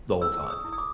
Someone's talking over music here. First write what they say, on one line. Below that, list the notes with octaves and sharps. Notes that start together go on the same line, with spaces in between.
the whole time.
E4 E6
G#4
D#6
E4
D#6
D6